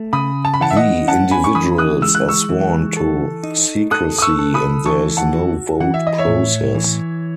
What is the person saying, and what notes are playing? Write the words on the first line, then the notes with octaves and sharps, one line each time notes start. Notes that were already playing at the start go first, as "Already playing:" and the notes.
The individuals are sworn to secrecy and there is no vote process.
Already playing: A3
C#3 B5 D#6
A5
B5
E3 F#5 A5
E5
D#5 F#5
C#4 F#5 A5
G#5 B5
C#6
E3 B5 D#6
D#6 F#6
G#3 E6
F#6
C#6 E6
E3
A4
D#4
A4 D#6 F#6
D#6
C#6 E6
A4
B5 D#6
E3 A5 C#6
F#5 A5
F#4
E3 F#5
E5
D#5
C#5 E5
A2
E3